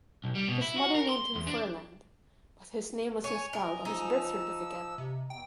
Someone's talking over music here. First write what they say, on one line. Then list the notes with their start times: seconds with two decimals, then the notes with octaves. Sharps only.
His mother named him Furland, but his name was misspelled on his birth certificate.
0.24 B1
0.35 G3
0.48 B2
0.62 E4
0.77 F#4
0.95 A#4
1.09 C6
1.35 E2
1.47 D4
3.24 C#5 G#5
3.53 A#4 D#5
3.85 F3 D#4 E6
4.98 C3
5.30 E2 G5